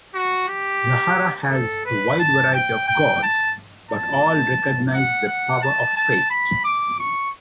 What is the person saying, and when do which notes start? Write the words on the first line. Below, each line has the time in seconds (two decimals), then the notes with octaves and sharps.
Zakhara has a wide variety of gods, but all recognize the power of Fate.
0.15 F#4
0.49 G4
1.51 A4
1.86 B4
2.19 A5
2.54 G5
2.88 G5
3.23 A5
3.91 A5
4.94 F#5
5.27 F#5
5.62 A5
5.97 A5
6.30 B5
6.64 D6
6.99 C#6